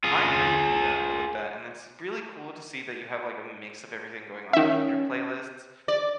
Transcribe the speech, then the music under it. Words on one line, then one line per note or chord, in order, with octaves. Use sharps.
I agree with you that with that, and it's really cool to see that you have like a mix of everything going on in your playlists,
F4 G#4
D#3 C#4 E5
D5